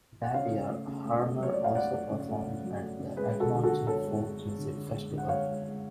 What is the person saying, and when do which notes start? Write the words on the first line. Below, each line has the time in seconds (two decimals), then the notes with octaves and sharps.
That year Harmer also performed at the Edmonton Folk Music Festival.
0.23 F#5
0.34 C#3 C#5 F5
0.52 C#3
0.70 A3
0.87 C#3
1.05 A3
1.23 A3
1.40 F#3 C#5
1.54 A3 D5
1.64 F5
1.75 A3 D5 F#5
1.93 A3
2.11 C#3
2.29 A3
2.46 C#3
2.64 F#3
2.81 A3
2.99 C#3
3.17 G#3 G#4 B4
3.35 G#3
3.40 F#4 A4
3.52 D3
3.63 F#4 A4
3.70 D3
3.87 D3 A4 C#5
4.05 G#3
4.23 G#3
4.40 G#3
4.58 D3
4.75 D3
4.93 G#3
5.11 D3
5.18 F#5
5.28 G#3 C#5 F5
5.46 G#3
5.63 G#3